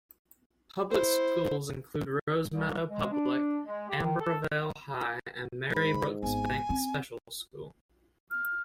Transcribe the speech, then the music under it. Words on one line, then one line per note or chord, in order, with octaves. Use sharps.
Public schools include Rosemeadow Public, Ambarvale High and Mary Brooksbank Special School.
E4 C5
C2
G#3
D4
G#3
G4
D#3
A4
G#2 B5
G#1 B3 G#5
C4 C#4
F6